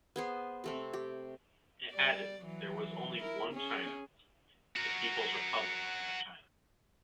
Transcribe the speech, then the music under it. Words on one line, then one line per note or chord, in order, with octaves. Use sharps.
It added, there was only one China, the People's Republic of China.
B3 G#4 C5
C3 A3 C4
G4
G3 D5
E3 F#3
E4 A#4
C#4 G#4
F#4 A#4